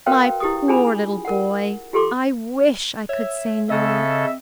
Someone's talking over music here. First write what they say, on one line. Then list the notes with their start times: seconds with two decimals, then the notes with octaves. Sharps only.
"My poor little boy, I wish I could say no."
0.06 F#4 A#4 B4 C#5 F5 G5
0.40 E4 G4 D#6
0.68 D4 F4 G#4 G#5 A#5 B5
1.25 A#4 F#5
1.93 F4 G4 A4 C6 D6
3.09 C#5 E5
3.70 C#3 C4 A4 D#5 E5